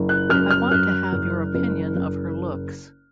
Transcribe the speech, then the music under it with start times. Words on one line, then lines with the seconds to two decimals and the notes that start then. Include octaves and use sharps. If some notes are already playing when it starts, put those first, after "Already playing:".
I want to have your opinion of her looks.
Already playing: F#1
0.09 F#6
0.29 F#2 F6
0.51 F6
0.71 F#2 F#6
1.13 F#1
1.55 F#1
1.96 F#1